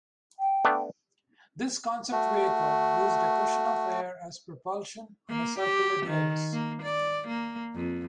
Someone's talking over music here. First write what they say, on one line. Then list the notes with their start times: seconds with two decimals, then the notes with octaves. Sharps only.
This concept vehicle used a cushion of air as propulsion on a circular dais.
0.40 G5
0.65 A3 B3 D4
2.12 A3 F#4
5.29 A#3
5.59 G4
6.06 D#3
6.53 A#3
6.82 D5
7.28 A#3
7.75 F2